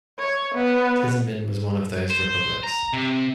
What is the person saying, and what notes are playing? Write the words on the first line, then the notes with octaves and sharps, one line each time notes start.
Tizimin was one of those republics.
C#5
B3
C5
A#5
C3